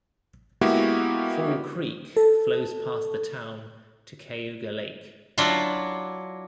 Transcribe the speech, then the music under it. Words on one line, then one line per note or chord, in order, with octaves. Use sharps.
Fall Creek flows past the town to Cayuga Lake.
G#3 A#3 B3 E4 F#4 G4
A4
F#3 D4 E4 F4